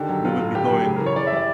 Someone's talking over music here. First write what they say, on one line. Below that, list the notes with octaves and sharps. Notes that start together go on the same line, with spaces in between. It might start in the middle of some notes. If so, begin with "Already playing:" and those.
we would be going
Already playing: D3 D#3 G4
F#3
F#3 F4
A2
D3 G4
F#3
C#3 G#4
A#4
E3
C#5
E3 D5
E5
G3 D5